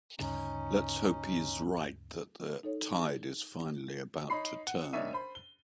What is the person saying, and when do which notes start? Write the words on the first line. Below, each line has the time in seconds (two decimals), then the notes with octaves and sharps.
Let’s hope he is right that the tide is finally about to turn.
0.20 D2 G2 C#3 C#4 D#4
2.63 D#4 A4 C#5
4.30 D#4 C#5 B5 C7
4.67 F#5
4.93 F#1 D4 D#4 C#5 E5 D#7
5.13 C5 B5
5.35 G7